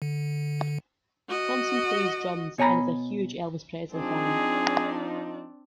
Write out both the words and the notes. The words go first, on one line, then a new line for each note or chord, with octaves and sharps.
Thompson plays drums and is a huge Elvis Presley fan.
D3
F#4 D#5
B2 C#5 G#5 A#5 B5
F3 C4 D4 D#4 G#4